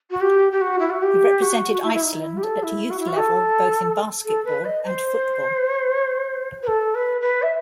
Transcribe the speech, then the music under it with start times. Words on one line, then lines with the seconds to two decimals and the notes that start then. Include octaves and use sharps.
He represented Iceland at youth level both in basketball and football.
0.10 F#4
0.20 G4
0.51 G4
0.60 F#4
0.78 E4
0.89 F#4
1.02 G4
1.41 F#4
1.73 F#4
1.82 E4
1.93 E4
2.02 D#4
2.22 E4
2.37 G4
2.43 A4
2.62 E4
2.90 F#4
2.99 E4
3.07 F#4
3.16 A4
4.25 A4
4.44 B4
4.64 D#5
4.84 C5
6.62 B4
6.67 A4
6.94 B4
7.21 B4
7.42 E5